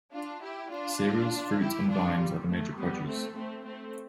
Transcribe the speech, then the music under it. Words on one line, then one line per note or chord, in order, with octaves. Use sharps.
Cereals, fruit and vines are the major produce.
D4 F4
E4 G4
D4 F4
E4 G4
D4 F4
G3
A3
G3 B3
A3 C4
A3 C4
A3 C4